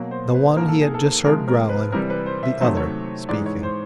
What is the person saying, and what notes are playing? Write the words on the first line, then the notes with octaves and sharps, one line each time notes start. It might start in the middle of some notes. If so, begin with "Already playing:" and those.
The one he had just heard growling, the other speaking.
Already playing: B2 F#3 A#3
C5
B4
G#2 F3 A#3 A#4
A4
G#4
A4
C3 F3 G#3 A#4
A#4
B4
C3 E3 G3 A#4
B4
C5
E5
C3 D#3 F#3 A3 C5
C#5
G#2 E3 G#3 D5
C#5
C5